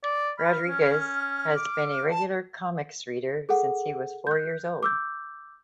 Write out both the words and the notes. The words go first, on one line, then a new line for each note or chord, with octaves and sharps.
Rodriguez has been a regular comics reader since he was four years old.
D5
B5 F6
C#4
D6
A5
G#4 A4 F#5
F#6 G6
D6 E6 G6